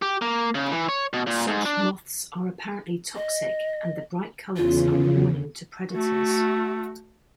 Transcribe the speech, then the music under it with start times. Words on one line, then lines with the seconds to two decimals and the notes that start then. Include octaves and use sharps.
Such moths are apparently toxic and the bright colors are a warning to predators.
0.02 G4
0.22 A#3
0.55 C#3
0.71 E3
0.89 C#5
1.13 B2
1.27 A#2
1.47 G#2
1.65 D4
3.15 D#5
4.56 E2 C#3 F4
5.92 A3 F#4